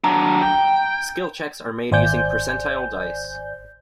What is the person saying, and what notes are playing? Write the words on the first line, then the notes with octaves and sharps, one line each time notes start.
Skill checks are made using percentile dice.
F#3 D4 A#5
G5
G#1 C5 D5 G#5 G6